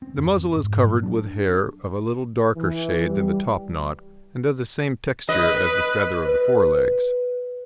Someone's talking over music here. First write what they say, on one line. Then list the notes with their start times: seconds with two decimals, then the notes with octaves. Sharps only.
The muzzle is covered with hair of a little darker shade than the topknot, and of the same texture as the feather of the fore-legs.
0.02 C4
0.18 F2
0.56 G#2
0.87 F#3
1.03 D4
2.56 E3
3.06 G3
5.29 B4 D#5
6.25 B4